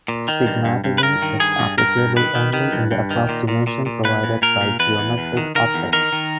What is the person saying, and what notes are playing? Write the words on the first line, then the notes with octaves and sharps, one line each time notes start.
Stigmatism is applicable only in the approximation provided by geometric optics.
A#2
D#3
G2
G2
G2
B4
G2 A#4
D#3
G2 G#4
G2
G2 A#4
G2
D#3 B4
D#3
D#3
G2
G2
D#3
A#2
A#2
A#2
A#2
A#2 B4
A#2
A#2 A#4
A#2
E2 B4
E2
E2
D#3
D#3 A#4
E2
D#3 A#4
D#3